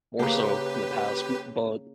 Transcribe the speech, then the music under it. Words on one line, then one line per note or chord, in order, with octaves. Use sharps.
more so in the past, b but
C#3 A#3 G4 B4